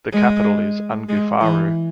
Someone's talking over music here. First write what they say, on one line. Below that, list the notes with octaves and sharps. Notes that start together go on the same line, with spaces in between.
The capital is Ungoofaaru.
G#3
G#3
E3